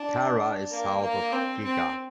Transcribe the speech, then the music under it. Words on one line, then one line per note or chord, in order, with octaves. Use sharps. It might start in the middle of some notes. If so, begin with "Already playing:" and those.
Cara is south of Gigha.
Already playing: D4
A#3
A#3
C4
C4